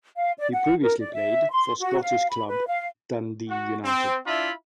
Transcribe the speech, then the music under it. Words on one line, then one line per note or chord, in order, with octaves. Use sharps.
He previously played for Scottish club Dundee United.
F5
D5
F#5
A#4
D5
E5
C6
F#4
F5
B5
B4
F5
F#4
C4
D4 E4 F4 E5 B5